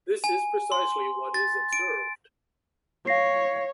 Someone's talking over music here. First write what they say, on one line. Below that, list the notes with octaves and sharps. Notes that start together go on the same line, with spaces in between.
This is precisely what is observed.
G#5
C6
A6
D7
C#5 F5 A#6 C7